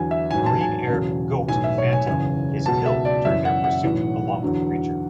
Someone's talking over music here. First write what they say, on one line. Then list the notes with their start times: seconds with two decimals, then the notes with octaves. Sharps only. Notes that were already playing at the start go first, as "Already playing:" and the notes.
Marine Eric "Goat" Fantom is killed during their pursuit, along with the creature.
Already playing: E2 D3 F#3 G#5
0.11 E5
0.31 A1 G#2 F#3 G#5
0.46 A5
0.61 G#5
0.89 E1 E2 C#3 F#3
1.48 B1 A2 E3 G#5
1.64 E5
1.78 C#5
1.93 G#5
2.07 F#1 E2 C#3 G#5
2.66 C#2 B2 F#3 A5
2.86 E5
3.05 D5
3.25 F#1 F#2 E3 E5
3.45 F#5
3.64 F#5
3.83 B1 A2 E3
4.42 E2 D3 F#3